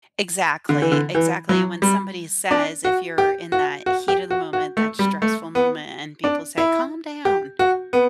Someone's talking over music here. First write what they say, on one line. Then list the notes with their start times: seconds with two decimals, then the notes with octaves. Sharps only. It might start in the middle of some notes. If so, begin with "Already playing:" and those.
Exactly, exactly, and when somebody says if you're in that heat of the moment, that stressful moment, and people say, "Calm down,"
0.69 D3
0.82 E3
0.92 D3
1.15 E3
1.49 F#3
1.82 G3
2.51 D4
2.85 F#4
3.18 G4
3.52 F#4
3.86 F#4
4.08 G4
4.30 F#4
4.53 F#4
4.77 A3
4.99 G3
5.22 A3
5.55 B3
6.24 D4
6.58 E4
7.25 G4
7.59 F#4
7.93 B3